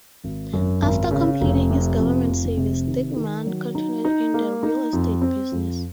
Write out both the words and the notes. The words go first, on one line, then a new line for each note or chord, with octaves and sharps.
After completing his government service, Dickmann continued in the real estate business.
G#1
F#2
G#1
C#3
F1
C3
F2
F1
C3
D#3
D#3
F#3
D#4
D#4
A#3
D#4
F2
C4
F2